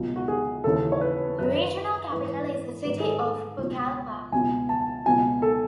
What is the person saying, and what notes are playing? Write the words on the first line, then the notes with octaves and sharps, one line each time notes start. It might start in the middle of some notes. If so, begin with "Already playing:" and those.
The regional capital is the city of Pucallpa.
Already playing: C#2 B2 F#3
F#4
G#4
D#2 C#3 E3 A4
C#5
B4
F#2 D#3 F#3 B4
G#2 E3 B4
G#2 D#3 F#3 B4
G#4
A4
A4
C#2 B2 F#3
C#2 B2 F#3 G#5
A5
C#2 B2 F#3 G#5
A4